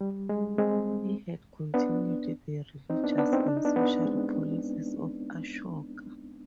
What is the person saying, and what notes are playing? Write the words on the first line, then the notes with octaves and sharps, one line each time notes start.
He had continued the religious and social policies of Ashoka.
G3
G#3
G#3 C4
B3 D4
C4 D#4
B3 D4
B3 D4
C4 D#4
D4
D#4
B3 D4
B3 D4
G#3 C4